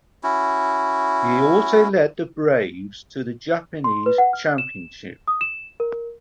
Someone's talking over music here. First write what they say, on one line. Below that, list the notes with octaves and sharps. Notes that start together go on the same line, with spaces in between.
He also led the Braves to the Japanese championship.
C#4 E4 F#4
C6
B4
F#5
F6
E7
D#6
E7
A#4